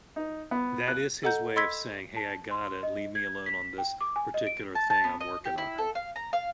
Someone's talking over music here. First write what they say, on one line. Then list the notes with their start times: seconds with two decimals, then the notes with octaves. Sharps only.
That is his way of saying, "Hey, I got it, leave me alone on this particular thing I'm working on," right.
0.16 D#4
0.51 B3
0.88 F#6
1.23 A4 D#5 F#5 A#5 G6
1.56 D#5 B5 C6 E6 G#6 B6
2.16 A5
2.51 C6
2.83 D#5
3.15 G#6
3.46 B6
3.78 G5
4.01 D6
4.16 G#5
4.34 D#5
4.47 D7
4.75 A5
4.90 A5
5.04 B3
5.21 D#5
5.45 G4
5.58 E4
5.78 A4
5.95 F5
6.16 A#5
6.33 F5